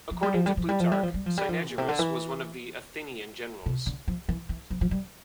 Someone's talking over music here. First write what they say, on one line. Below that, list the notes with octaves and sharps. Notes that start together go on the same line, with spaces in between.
According to Plutarch, Cynegeirus was one of the Athenian Generals.
F3
G3
F3
G3
F3
G3
F3
G3
F3
G3
F3
G3
F3
A#2
C3
D3
E3
C3
D3
F3
E3
E3
F3
F3
G3